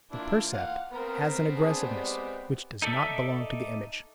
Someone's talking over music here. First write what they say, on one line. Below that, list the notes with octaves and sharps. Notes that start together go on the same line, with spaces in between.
The percept has an aggressiveness which does not belong to the image.
E3 A#3 D4 E4 F4
F5 F#5
B3 C4 A#4
D4 G#4
G#3 G4 D5
D#4 A4 D5 E5